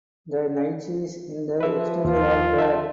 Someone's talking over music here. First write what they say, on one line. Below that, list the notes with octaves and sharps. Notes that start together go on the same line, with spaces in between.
The niches in the exterior are bare.
F3 B4 E5
D#2 F4
E5 A5